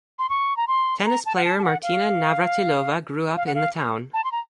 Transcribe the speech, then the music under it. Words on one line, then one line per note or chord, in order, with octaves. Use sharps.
Tennis player Martina Navratilova grew up in the town.
C6
C#6
A#5
C6
A#5
A5
F#5
A5
A5
F#5
F5
F5
F#5
F5
A5
C6
A#5